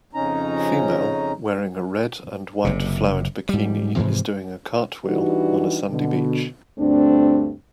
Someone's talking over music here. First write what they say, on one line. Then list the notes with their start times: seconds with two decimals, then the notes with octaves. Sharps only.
Female wearing a red and white flowered bikini is doing a cartwheel on a sandy beach.
0.14 F2 C#3 C#4 D#4 A#5
2.65 F#1 C3
3.49 G#2 G3
3.96 G#2 C3 E3 F3
5.05 E3 G3 D4 D#4 F#4 G4
5.90 B2 D3
6.79 D2 G2 A3 C4 D4